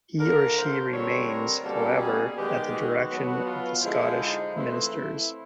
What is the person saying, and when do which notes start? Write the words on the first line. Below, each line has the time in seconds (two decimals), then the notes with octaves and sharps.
He or she remains, however, at the direction of the Scottish ministers.
0.20 D3 F3 A3 A#4
0.57 C5
0.92 D3 G3 C4 C#5
1.28 A#4
1.64 B2 G3 A#3 C#4 A4
2.02 G#4
2.37 D#3 G#3 B3 G4
2.73 F#4
3.10 B2 F#3 B3
3.46 F4
3.82 D3 F3 G#3 E4
4.18 D#4
4.55 E3 A3 C4 E4
4.91 E4